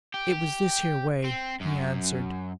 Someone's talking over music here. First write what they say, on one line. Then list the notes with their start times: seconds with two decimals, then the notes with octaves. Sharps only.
"It was this here way," he answered.
0.14 G4
1.24 C4
1.60 F#2